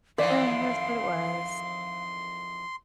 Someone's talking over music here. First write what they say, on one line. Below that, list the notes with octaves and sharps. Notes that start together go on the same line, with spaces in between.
eh, that's what it was.
F2 D#3 E3 D5 E5 F5 C6